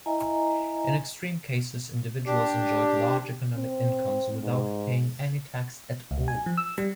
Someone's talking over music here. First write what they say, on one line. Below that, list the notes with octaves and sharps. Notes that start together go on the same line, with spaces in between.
In extreme cases, individuals enjoyed large economic incomes without paying any tax at all.
E4 D#5 E5 G#5 A#5
D4 G4
C4
G#2
C#2
G#5
F3
E6
G3